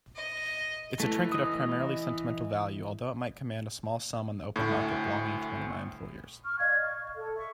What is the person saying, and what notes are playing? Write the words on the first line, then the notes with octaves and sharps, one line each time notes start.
It's a trinket of primarily sentimental value, although it might command a small sum on the open market, belonging to one of my employers.
D#5
E3 A3
D#5 D#6
D2 A2
C#6 F6
D5 D#5 F5 G#6
C#6
A4
E5 C#6